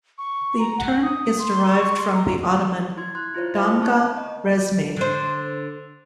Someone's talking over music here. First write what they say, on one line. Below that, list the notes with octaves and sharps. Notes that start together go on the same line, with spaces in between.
The term is derived from the Ottoman damga resmi.
C#6
A#5
F#5
D#6
C6
C#6
C6
A#5
E4 C6 G#6
C6 F#6
E4 F4 C5 C#5
C5 E5 F5 A5
A5 C#6 F#6 G6
D#5
D3 C5